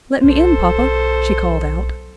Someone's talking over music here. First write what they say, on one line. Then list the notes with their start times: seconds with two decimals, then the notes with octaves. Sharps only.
"Let me in, papa," she called out.
0.24 B1 A4 C5